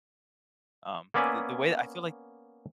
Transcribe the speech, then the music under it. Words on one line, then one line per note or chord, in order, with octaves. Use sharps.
um, the the way I feel like,
A#3 B3 C#4 D5 E5 G#5